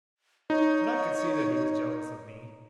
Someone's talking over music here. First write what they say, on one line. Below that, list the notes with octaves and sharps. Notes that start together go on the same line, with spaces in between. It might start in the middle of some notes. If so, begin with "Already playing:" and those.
But I could see that he was jealous of me.
D#4 C#5